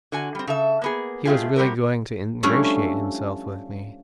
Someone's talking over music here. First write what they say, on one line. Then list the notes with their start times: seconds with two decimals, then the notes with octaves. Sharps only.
He was really going to ingratiate himself with me.
0.12 D3 F#4 G#5
0.35 G3 C4
0.47 C#3 A4 E5
0.82 A#3 B3 G#4
1.25 G#3 A3 C4 F4 G4 G#4
1.56 G3 C4 F#4 G4 A#4
2.43 F3 G3 A3 C#4 D4 E4